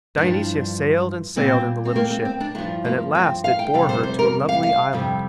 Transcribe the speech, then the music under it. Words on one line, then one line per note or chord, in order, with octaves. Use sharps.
Dionysia sailed and sailed in the little ship and at last it bore her to a lovely island.
G2 F3 D4
A#2 G3 C4
C4
A#3
C4
C4
D4
G2 F3 D4
A#3
C4
F5
G5
F2 C3 G3 F5
C5
C5
A#4
F5
F5
F2 C3 G3